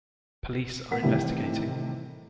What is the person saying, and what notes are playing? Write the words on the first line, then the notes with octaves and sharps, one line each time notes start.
Police are investigating.
A1 B3 A#4 F#5 B6
A2 C3 D#3 E3 G3 A3